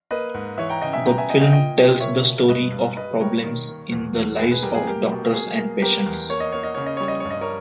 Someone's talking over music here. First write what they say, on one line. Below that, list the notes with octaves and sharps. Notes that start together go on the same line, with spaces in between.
The film tells the story of problems in the lives of doctors and patients.
A#3 B4 D#5
G#2
E3 C#5 E5
G5 A#5
C#3 D#5 G5
E5 G#5
B3 G5 A#5
E5 G#5
B3 D#5 G5
D#5 G5
A#2 D#5 G5
A#2 D#5 G5
A#3 C#5 E5
B2
G2 B4 D#5
G2
G3 B4 D#5
G3 A#4 C#5
D#3
A#3
E2
E2
G#2 G#4 B4
G#4 B4
G3 G4 A#4
G#4
A#3 G4 A#4
B2
A#3 G#4
A#3
B3 G4 A#4
E2
A#3 C#5
D#5
A#3 C#5
D#5
C#3 C#5
D#5
G3 C#5
D#5
G2 C#5
D#5
A#4 C#5